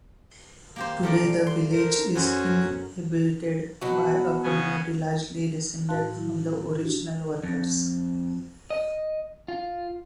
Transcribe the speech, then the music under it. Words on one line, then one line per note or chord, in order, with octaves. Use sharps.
Today the village is inhabited by a community largely descended from the original workers.
A#3 G4 C5
A3 A#4 D5
C6
A#4 C5
F#2 F#3 C#4 F#4 C5
B2 F#3 F#4
C#3 B3 G#5
A2 F#4 F5 A5 C6 F#6
D#3 F#3 E4
D4 F#4 G4
F2
D#5
F4